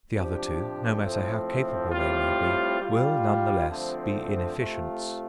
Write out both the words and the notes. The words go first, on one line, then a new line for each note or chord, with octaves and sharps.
The other two, no matter how capable they may be, will none the less be inefficients.
C3 F3 D4 G4
A2 F3 A3 C4
A2 G3 C4 F4
G3 F4
D3 F3 A3 C4
C3 A3 F4